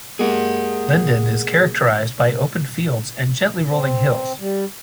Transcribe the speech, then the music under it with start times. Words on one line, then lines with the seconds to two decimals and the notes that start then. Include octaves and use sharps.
Linden is characterized by open fields and gently rolling hills.
0.19 G#3 A#3 G4 G#4 F#5
3.67 C4
4.40 G3